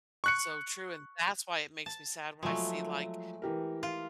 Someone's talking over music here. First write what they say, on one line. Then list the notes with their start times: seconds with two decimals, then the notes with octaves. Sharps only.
So true and that's why it makes me sad when I see, like,
0.24 C#6 F#6 C#7
1.86 A5
2.43 F3 F#3 G#3 A3
3.42 E3 G4 A#4
3.83 F4